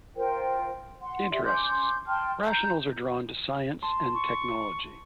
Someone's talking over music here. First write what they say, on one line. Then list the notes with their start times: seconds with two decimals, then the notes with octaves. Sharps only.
Interests: Rationals are drawn to "science" and "technology".
0.16 F4 A#4 C5 G5
1.02 F#5 C6
1.31 G4 D5 E5 C6
1.45 C#4 C6 D6 G6
2.08 G5 A5 C6 F6
2.46 A#5 G6
3.82 A5 C6
4.14 C#6